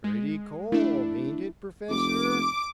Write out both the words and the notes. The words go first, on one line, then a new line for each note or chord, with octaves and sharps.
"Pretty cold, hain't it, Professor?"
G#3
A3 D4 E4
F1 D6